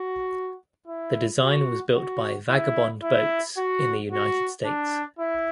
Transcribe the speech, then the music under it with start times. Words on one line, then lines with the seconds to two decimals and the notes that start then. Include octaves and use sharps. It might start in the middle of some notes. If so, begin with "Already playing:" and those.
The design was built by Vagabond Boats in the United States.
Already playing: F#4
0.87 E4
1.42 F#4
1.95 F#4
2.49 E4
3.03 E4
3.57 F#4
4.12 F#4
4.65 D4
5.19 E4